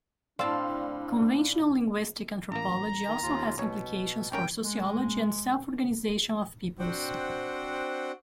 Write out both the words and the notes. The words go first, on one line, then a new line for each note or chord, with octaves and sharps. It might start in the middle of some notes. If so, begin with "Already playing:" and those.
Conventional linguistic anthropology also has implications for sociology and self-organization of peoples.
A2 C4 D4 D5 F5 A5 C6 E6
A1 A#3 A#5
D#3
D#2 F4
B1 B2 C#5
G#1 C#4 A#4 G5
G#3
C4 D4 F#4 C5 F#5 G5